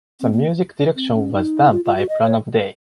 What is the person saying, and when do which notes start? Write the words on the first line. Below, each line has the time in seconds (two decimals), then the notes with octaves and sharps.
The music direction was done by Pranab Dey.
0.21 C4
0.32 A#3
0.96 C4
1.15 C#4
1.34 D#4
1.71 F4
1.85 F4
1.96 F#4
2.09 D#5
2.22 C#5